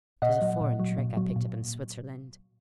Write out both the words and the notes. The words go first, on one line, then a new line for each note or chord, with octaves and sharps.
'Tis a foreign trick I picked up in Switzerland.
A#2 D#5 F#5
F#3
A#2
F#3
A#2
F#3
A#2